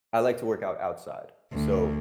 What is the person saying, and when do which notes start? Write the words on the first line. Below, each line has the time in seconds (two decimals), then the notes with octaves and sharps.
I like to work out outside. So,
1.52 D2